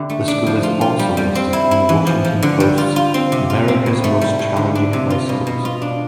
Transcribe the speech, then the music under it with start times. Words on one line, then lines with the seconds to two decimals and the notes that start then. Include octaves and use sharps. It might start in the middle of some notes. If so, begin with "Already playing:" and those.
The school is also listed in the Washington Post's "America's Most Challenging High Schools".
Already playing: D3 E4 G4
0.10 A3
0.28 D4
0.47 F3
0.63 F4
0.81 F4
0.99 G3
1.17 G3
1.35 C4
1.53 E4
1.71 E4
1.89 E3
2.07 F3
2.25 F3
2.42 D3
2.60 G3
2.78 F4
2.96 F4
3.14 C4
3.32 C3
3.50 F4
3.68 C4
3.86 A2
4.04 A3
4.21 G3
4.39 A2
4.57 D3
4.75 D4
4.93 C3
5.10 F4
5.29 B2
5.47 B2
5.65 F4
5.82 D4